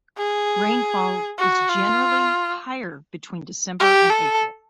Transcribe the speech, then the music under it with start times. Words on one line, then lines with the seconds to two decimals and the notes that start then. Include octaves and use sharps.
Rainfall is generally higher between December and April.
0.18 G#4
1.39 F#4
1.69 F4
3.80 G4
4.10 A4